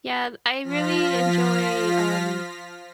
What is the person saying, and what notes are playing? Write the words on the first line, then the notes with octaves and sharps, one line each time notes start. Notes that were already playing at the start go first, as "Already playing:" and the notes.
Yeah. I really enjoy, um
F3 F4 F6 A#6 B6